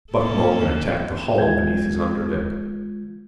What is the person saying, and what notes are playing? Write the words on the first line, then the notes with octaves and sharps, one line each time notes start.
Buck Mulligan attacked the hollow beneath his underlip.
A#3 C#4 A4
G#3 F4 G6 G#6